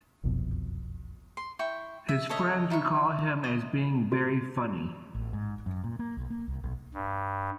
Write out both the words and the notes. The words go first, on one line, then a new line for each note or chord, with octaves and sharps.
His friends recall him as being very funny.
F#1 C2 F2 B2
C6
E4 G5 C#6
E5
A4 C#5 D#5 E5
D#4 E4 E5 C#6
D#5
F#4
A1
G#2
F#2
A#2
A#3
B1
A#3
C2
B1
G2